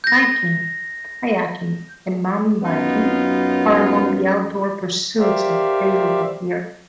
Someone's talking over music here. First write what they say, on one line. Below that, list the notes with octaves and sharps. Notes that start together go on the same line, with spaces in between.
Hiking, kayaking, and mountain biking are among the outdoor pursuits available here.
G6 A#6
F#2 B3 D#4 F4
G4 A#4 C5 D5 E5 F5